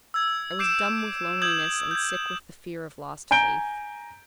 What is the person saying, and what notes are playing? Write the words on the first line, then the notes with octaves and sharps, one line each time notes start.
I was dumb with loneliness and sick with the fear of lost faith.
E6 G#6
D6 G6 C7 D7 E7
D#6 G6 G#6 F#7
G6 G#6
G#5 A#5 G6 D7 G7